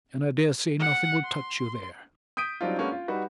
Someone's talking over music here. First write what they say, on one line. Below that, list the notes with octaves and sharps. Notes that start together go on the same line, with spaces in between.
And I dare say nothing will touch you there.
F#5
C6
D#6 G6 B6 D7 D#7
F#3 G3 C4 D4 D#4 F4
G#3 A#3 B3 C#4 D4 F#4
F4
G3 D#4 F#4 B4